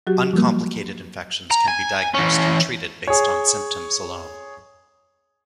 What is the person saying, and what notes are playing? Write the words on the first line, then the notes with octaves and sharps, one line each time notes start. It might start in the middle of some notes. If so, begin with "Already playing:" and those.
Uncomplicated infections can be diagnosed and treated based on symptoms alone.
F#3 F#4 G4
F3 G3 A#3
A#5
G#5
E3 C#4
G#4 C#5